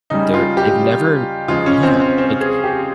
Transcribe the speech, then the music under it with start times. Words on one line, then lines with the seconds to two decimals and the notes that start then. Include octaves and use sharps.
they're they've never Yeah, like,
0.10 C#3 G3 D#4
0.34 F4
0.57 G4
1.48 C#3 F3 G#3 F4
1.66 C#4
1.83 C4
2.00 C4
2.18 C4
2.41 G#4
2.64 G4